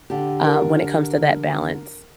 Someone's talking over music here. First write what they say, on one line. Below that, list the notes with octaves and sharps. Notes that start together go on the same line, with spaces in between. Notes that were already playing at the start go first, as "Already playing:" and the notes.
um, when it comes to that balance?
D3 G4
A#4